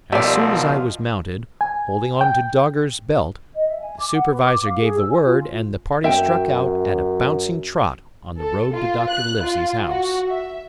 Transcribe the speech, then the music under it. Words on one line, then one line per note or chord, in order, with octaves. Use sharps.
As soon as I was mounted, holding on to Dogger's belt, the supervisor gave the word, and the party struck out at a bouncing trot on the road to Dr. Livesey's house.
G#1 B2 F3 G3 F4 D5 E5
G#5
G5
D#5
E5
G#5
D6
F#5
B4
D6
F5
G#4
E6
G#5
F4
F#2 E5 G5
A4
F4
F#6
F4
F#4
E5